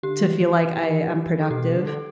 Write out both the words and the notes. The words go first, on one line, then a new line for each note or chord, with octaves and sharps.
to feel like I am productive,
D3 G4
E3
E3
E3
A4
B2 G4
D3
A4